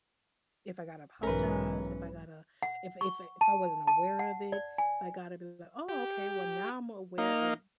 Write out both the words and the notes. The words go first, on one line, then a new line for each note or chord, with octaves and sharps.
if I gotta apologize, if I gotta if if if I wasn't aware of it, I gotta be like, "Oh, okay, well now I'm aware of
B1 G#2 E3 C#4 A#4 B4
F#5
C#6
A5
A5
F#5
D5
G#5
G4
A#3 D#4 F5